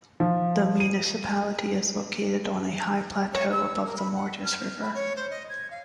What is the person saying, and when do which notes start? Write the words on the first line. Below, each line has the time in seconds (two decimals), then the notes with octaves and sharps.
The municipality is located on a high plateau above the Morges river.
0.20 F3
0.80 D#7
3.33 C#5
3.52 E6
3.85 A#4
3.98 B5
4.15 F#5
4.44 F6
4.82 B5
4.95 C#5
5.16 C5
5.30 D#5
5.49 G#6
5.70 F5